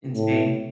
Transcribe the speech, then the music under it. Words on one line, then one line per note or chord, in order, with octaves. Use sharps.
in Spain?
A2